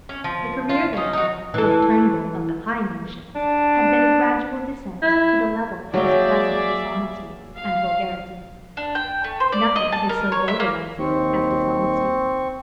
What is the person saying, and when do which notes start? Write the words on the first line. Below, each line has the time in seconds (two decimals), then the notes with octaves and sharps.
The career, therefore, of Turnbull of the high notions had been a gradual descent to the level of his present dishonesty and vulgarity; nothing is so vulgarizing as dishonesty.
0.09 C#4
0.24 F3
0.69 F4
0.93 C#4 D#4
1.13 D#4 F#4
1.54 E3 A4
3.35 D4
5.02 E4
5.94 F#3 A#3 G#4 D5 E5 G5
7.56 F5
8.77 D4
8.95 G5
9.24 A3
9.40 C5
9.52 D5
9.76 D#5
9.92 A5
10.09 A#4
10.32 C#5
10.48 E5
10.60 A#3
10.99 D#2 C4 C#6